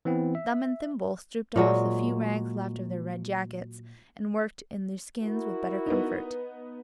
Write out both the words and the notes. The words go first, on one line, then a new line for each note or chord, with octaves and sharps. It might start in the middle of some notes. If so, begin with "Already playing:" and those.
Thumb and Thimble stripped off the few rags left of their red jackets, and worked in their skins with better comfort.
E3 B3 C4 E4
E5
A#2 F#3 G#3
E4 F#4 A#4
B3 D#4